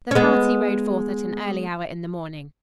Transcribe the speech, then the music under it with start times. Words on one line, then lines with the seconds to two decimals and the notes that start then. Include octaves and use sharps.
The party rode forth at an early hour in the morning.
0.11 C#4
0.15 G#3 B3